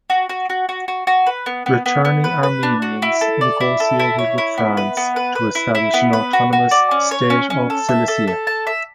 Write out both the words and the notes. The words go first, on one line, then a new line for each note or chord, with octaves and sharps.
Returning Armenians negotiated with France to establish an autonomous "State of Cilicia".
F#4
F#4
F#4
F#4
F#4
F#4
B4
B3
B3
B3
B3
B4
B4
D4
F#4
E4
A4
D5
E4
A4
E4
C#5
E4
B3
B4
B3
B4
B4
E4
E4
B3
B4
F#4
F#4
D5
C#4
C#5
C#4
C#4
A4
E5
A4
A4
A5
E5